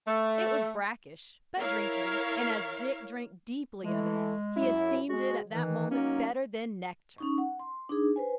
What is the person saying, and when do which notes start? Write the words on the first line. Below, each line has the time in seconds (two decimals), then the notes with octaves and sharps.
It was brackish, but drinkable, and as Dick drank deeply of it he esteemed it at that moment better than nectar.
0.07 A3
1.59 E4 A#4 C#5 F5
3.84 E3 G#3 A3
4.56 F#2 E4
5.09 G#3 F#4
5.51 D#3 E3
5.91 F#3 A#3 C#4 D#4
7.18 C#4 D#4 C#6
7.38 F#5
7.59 C6
7.89 D4 D#4 G#4
8.16 B4 C5 G#5